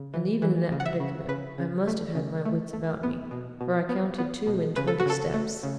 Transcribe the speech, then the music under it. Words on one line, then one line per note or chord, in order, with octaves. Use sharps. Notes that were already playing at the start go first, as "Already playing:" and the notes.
And even in that predicament I must have had my wits about me, for I counted two-and-twenty steps.
Already playing: C#3
E3
E3
C#3
F#5
E5
C#3
C#3 B4
C#3
A3
C#3
A3
A3
B3
B2
B2
B3
B3
B2
C#3 B4
A4
F#4
C#3 A4
A3
C#3